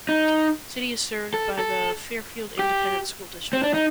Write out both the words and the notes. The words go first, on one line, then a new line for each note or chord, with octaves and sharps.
The city is served by the Fairfield Independent School District.
D#4
A4
A4
G4
C4
D4
D#4